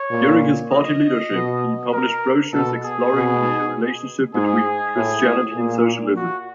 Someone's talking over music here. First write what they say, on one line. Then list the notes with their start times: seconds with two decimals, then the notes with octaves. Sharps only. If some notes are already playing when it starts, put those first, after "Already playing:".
During his party leadership, he published brochures exploring the relationship between Christianity and socialism.
Already playing: C#5
0.11 A#2
0.71 D#5
1.32 B2
1.93 A#4
2.53 B2 A4
2.83 G#4
3.13 B2
4.34 G#2 G#4
4.95 A2
5.56 A#2
6.16 F#4